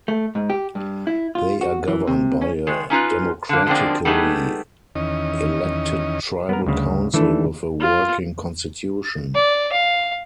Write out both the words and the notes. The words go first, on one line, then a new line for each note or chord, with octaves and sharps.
They are governed by a democratically elected tribal council, with a working constitution.
A3
G#2
G4
G2
E4
F4
F#4
E3
C3
C#4
D#3 G#3
C#4 D#4 F4 B4
D3 A#3
D3 F3 G#3 A#3 C4 D4
G3 A3 B3 D#4 G#4
E2 D#3 C#4 D#5
G3 B3 A#4
D2 C#3
D#3 E3 A3 D4 A4
F4
D5
F5